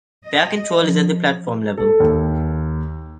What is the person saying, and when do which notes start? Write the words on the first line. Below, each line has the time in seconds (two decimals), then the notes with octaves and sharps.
Fare control is at the platform level.
0.25 D#5
0.78 F3
1.78 A4
2.00 D#2